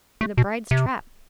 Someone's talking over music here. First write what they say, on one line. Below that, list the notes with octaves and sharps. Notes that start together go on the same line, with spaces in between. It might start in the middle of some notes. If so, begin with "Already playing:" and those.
"In the bride's trap."
A3
B2
C3